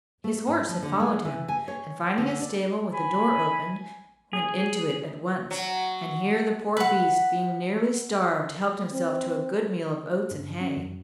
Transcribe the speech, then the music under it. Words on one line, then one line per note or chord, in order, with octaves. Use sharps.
His horse had followed him, and finding a stable with the door open, went into it at once; and here the poor beast, being nearly starved, helped himself to a good meal of oats and hay.
A3
G#2
F3
D3
G#3
E3
G#5
C#5
D3
D5
G#5 B5
G#4
F#3
B4 F#5
C4
G2
C#4
F#2